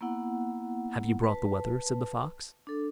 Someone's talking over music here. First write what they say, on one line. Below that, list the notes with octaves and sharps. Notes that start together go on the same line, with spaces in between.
'Have you brought the wether?' said the Fox.
A#3 B3 E4 F#5
B4 A5
D4 A4